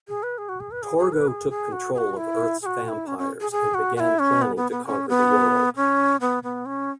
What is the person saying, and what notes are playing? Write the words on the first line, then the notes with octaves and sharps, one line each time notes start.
Torgo took control of Earth's vampires, and began planning to conquer the world.
G#4
B4
G#4
F#4
G#4
B4
G#4
G#4
B4
G#4
G#4
F#4
G#4
F#4
E4
G#4
F#4
F#4
E4
C#4
C#4
G#4
G#4
F#4
F#4
E4
C#4
B3
B3
B3
C#4
B3
C#4
B3
B3
C#4